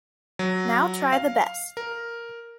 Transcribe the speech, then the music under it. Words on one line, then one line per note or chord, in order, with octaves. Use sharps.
Now Try the Best!
F#3
F5
A#4